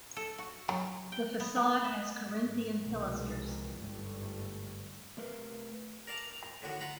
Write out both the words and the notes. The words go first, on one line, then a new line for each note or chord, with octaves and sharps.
The facade has corinthian pilasters.
A4
F#4
F#3
G5
B3
A#3
E5
G#2
C2 B2 D#3 F3 G#3
G1 G#2 D3 G3 A3
C3 A3 A#4 B4 F5
A#4 D5 F5 A5
A2 D3 D#3 F#4
F4 F5 F#5 A#5 B5